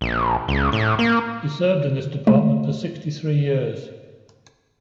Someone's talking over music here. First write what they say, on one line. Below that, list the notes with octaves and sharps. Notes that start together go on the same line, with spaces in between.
He served in this department sixty-three years.
A#1
C#2
A2
A#3
C3 G#3 A3